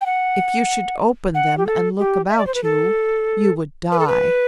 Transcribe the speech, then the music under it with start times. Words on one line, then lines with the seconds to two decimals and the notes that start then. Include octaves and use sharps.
If you should open them and look about you, you would die.
0.01 G5
0.06 F#5
1.35 F#5
1.58 G4
1.67 A4
1.99 G4
2.29 E5
2.38 D5
2.47 C5
2.55 B4
2.63 A4
3.92 B4
3.99 A4
4.07 B4